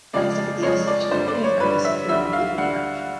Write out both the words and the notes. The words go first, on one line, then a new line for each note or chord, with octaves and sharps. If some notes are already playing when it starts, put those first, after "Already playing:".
There, he studied the intersection of theory and practice of human-computer interaction.
F2 C#3 F3 G#3 D5
F2 C#3 F3 G#3 C#5
D5
G2 D3 G3 C5
D5
C#5
G2 D3 G3 B4
E5
D2 D3 G3 E5
F5
D3 G3 F#5